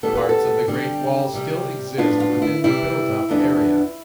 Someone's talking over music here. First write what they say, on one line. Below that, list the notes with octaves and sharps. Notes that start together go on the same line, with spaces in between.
Parts of the Great Wall still exist within the built-up area.
E2 B2 G3 B3 A4
B4
A4
D3 G3 C4 G4
C3 G3 C4
A2 F3 B3 D4 F4
F4
E4
C3 E3 G3 C4 E4
E2 D3 F3 B3 D4